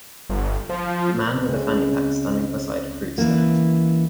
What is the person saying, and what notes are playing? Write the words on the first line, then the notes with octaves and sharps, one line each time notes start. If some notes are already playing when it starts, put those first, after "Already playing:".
Man with a fanny pack standing beside fruit stand.
G1
F3
C#2 G#3 C4
E3 A#3